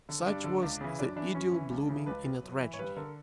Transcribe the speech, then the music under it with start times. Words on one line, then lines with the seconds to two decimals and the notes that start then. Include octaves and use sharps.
Such was the idyll blooming in a tragedy.
0.09 D3
0.26 G2 D4
0.44 D3
0.62 C#2
0.81 C#3 E3
0.99 F#2 D4
1.16 E3 D4
1.35 F#2 C#4
1.52 E3
1.71 C#2
1.89 C#3 E3
2.06 C#2 B4
2.24 B2
2.42 F#2
2.60 E3
2.74 C#5
2.79 G2 B4
2.96 D3 A#4